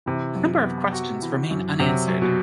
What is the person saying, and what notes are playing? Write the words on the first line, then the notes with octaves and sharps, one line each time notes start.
A number of questions remain unanswered.
C3 E3
F#2
B3
F#4
E3
F#2
C3 F#3
F#2
B2